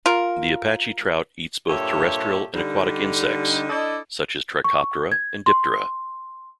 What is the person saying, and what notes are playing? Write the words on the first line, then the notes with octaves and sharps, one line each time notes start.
The Apache trout eats both terrestrial and aquatic insects, such as Trichoptera and Diptera.
F4 A#4
G2 A#2 G4 A4 C#5 E5
D3 G3 D#4
D4 E4 A4 D5 D#5
C#6
G#6
C6